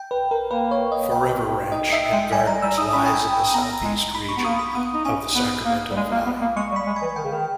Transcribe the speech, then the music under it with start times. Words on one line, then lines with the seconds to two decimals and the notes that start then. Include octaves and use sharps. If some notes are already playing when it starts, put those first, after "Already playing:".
Forever Ranch and Gardens lies in the southeast region of the Sacramento Valley.
Already playing: G5
0.11 B4
0.31 A#4
0.51 A#3 B4
0.71 C#5
0.92 D#5
1.12 G5
1.72 D#4 D#5
1.92 D#4 E5
2.13 G#3 G5
2.32 G3 G#5
2.47 G3 A#5
2.62 G3 E6
2.78 D#4 D#6
2.93 C#4 B5
3.06 G5
3.14 G#5
3.33 G#5
3.54 B3 A#5
3.84 G#3
4.15 B5
4.29 C#6
4.36 B3
4.45 A#3 D#6
4.59 B5
4.74 B3 D#6
4.94 D#4
5.05 C#4
5.35 B3
5.65 A#3
5.91 G3
5.96 G#3
6.11 A#3
6.26 B3
6.41 A#3
6.56 G#3 C#6
6.71 G3
6.76 B5
6.86 G#3
6.96 G#5
7.02 E3
7.16 D#3 G5
7.24 C#3
7.31 D#3